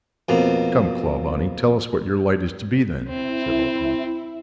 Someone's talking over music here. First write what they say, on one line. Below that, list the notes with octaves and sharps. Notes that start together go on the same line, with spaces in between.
"Come, Clawbonny, tell us what your light is to be, then," said Altamont.
F2 B2 A#3
C4 E4